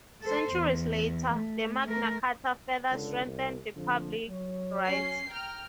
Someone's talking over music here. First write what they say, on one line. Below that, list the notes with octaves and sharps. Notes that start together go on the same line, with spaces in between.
Centuries later, the Magna Carta further strengthened public rights.
A4 C5
E2
A3
A3 A#4
C#2 D3
C2
F2 D3 F3
F#3 C#5
C#4 C7
G5 A#5 F6